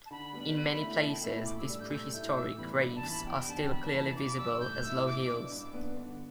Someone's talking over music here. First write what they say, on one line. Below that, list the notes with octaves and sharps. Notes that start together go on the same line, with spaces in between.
In many places, these prehistoric graves are still clearly visible as low hills.
A5
D3 B5
G3 B3 D4
D3
A3 E4
B2 A5
G5
A3 E4 B5
B5
A2 D6
E6
G3 D4 E6
G6
A2 E6
A3 E4 G6
D6
A2 E6
E3 G3 B3 B5
G2 B5
A5
E3 G3
B5
E2 G5
D3 G3 D4 A5
E2 B5
A5
E3 B3
B5
G2 D6
D3 G3 D4 E6
A2 G6
A3 E4 E6
B2 D6
B3 D4
G2
D3 B3 D4
D3